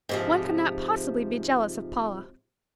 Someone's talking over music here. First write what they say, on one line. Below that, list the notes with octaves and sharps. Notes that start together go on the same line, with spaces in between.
One could not possibly be jealous of Paula.
G#2 C3 F3